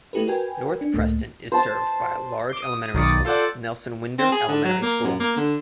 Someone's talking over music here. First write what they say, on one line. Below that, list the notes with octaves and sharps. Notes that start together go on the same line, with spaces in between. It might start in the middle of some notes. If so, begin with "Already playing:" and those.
North Preston is served by a large elementary school, Nelson Whynder Elementary School.
A3 E4 G4 A4 B4
F#4 A#4 B4 G5 G#5
D4
C#2 A2 A3 A#3
C5 A5
C6 D6
D#6
B1 D#3 D5 D#6 C#7
F4 A4 C5 D5 F#5
C4
G#4
D3
F#3
A#3
F#2
A#3
D3